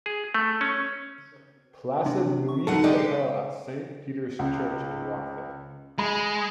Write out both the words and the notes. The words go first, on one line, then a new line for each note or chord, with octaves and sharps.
Placide Louis Chapelle at Saint Peter's Church in Rockville.
G#4
A3
C#4
C3 D4
C#6
D#2 D#4 A4 F#5
D3 G#3 D#4 G4 D5
C7
C#2
G#3 B5